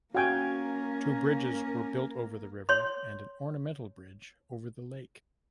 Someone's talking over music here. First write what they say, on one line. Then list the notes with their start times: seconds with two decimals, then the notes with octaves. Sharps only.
Two bridges were built over the river and an ornamental bridge over the lake.
0.15 A#3 C#4 F#4 A#4 F5 G5 G#5 G#6
2.69 C#5 C6